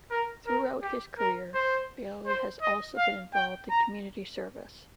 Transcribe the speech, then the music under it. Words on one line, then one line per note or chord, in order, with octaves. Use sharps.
Throughout his career Bailey has also been involved in community service.
A#4
A#4
G4
A#4
C5
C5
D#5
F5
G5
A#5